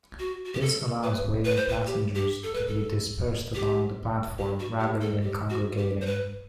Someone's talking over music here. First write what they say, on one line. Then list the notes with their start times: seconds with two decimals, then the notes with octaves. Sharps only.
This allows waiting passengers to be dispersed along the platform rather than congregating.
0.19 F#4
0.45 F#4
0.53 G4
0.61 A4
1.03 B4
1.45 B4
1.57 C5
1.68 B4
1.87 G4
2.15 G4
2.43 A4
2.55 B4
2.67 A4
3.55 G4
4.38 G4
4.59 F#4
4.80 G4
5.01 A4
5.22 G4
5.50 F#4
5.78 G4
6.01 C5
6.06 B4